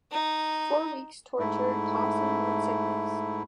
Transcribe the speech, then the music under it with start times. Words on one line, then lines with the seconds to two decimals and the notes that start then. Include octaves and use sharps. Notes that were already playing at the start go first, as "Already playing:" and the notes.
Four weeks’ torture, tossing, and sickness!
0.12 D#4
1.39 G#2 A3 E4